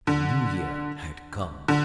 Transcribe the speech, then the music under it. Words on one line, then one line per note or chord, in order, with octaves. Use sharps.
The new year had come.
D3
D3